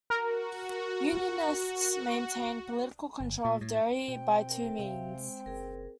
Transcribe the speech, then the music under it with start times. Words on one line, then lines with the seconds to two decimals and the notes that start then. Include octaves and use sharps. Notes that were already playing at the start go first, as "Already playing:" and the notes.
Unionists maintained political control of Derry by two means.
0.10 F#4 A#4
3.20 G1
3.45 A#2
3.61 A2
4.08 B2 C4 G5
4.49 A#4
4.79 C3 E5 F5
5.14 G#3
5.46 F#1 G#4 A#4